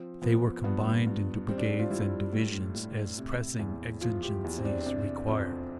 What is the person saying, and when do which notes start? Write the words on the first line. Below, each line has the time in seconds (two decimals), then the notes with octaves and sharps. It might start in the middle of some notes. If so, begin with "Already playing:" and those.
They were combined into brigades and divisions as pressing exigencies required.
Already playing: F3 C4
0.22 F3 B3
0.64 G2 B3
1.06 G2
1.48 G3 C4
1.58 D4
1.65 C4
1.79 F4
1.90 G3 E4
2.33 A2
2.75 A2
3.18 C3
3.59 E2
4.01 F3 F4
4.23 G4
4.44 E2
4.58 C4
4.65 D4
4.81 C4
4.86 C3 D4
5.28 F2 C4